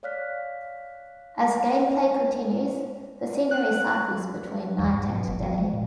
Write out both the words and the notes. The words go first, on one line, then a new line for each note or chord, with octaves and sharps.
As game play continues, the scenery cycles between night and day.
C#5 D5 F5 F6 F#6 B6
F#6
E2
G#2
B2
G1
F#3
G#3
A#2